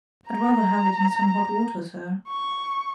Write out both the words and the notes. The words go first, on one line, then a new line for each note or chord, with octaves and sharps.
"I'd rather have it in some hot water, sir."
A#5
C#6